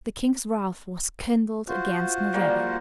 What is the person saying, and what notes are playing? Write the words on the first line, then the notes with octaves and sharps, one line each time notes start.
The king's wrath was kindled against Noureddin.
F4 F#4 C5
G3 A#3